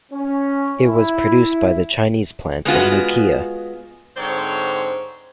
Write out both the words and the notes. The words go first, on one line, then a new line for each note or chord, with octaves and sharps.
It was produced by the Chinese plant of Nokia.
C#4
E4
G#3 B3 F4 F#4
G#2 D3 C4 C5 C#5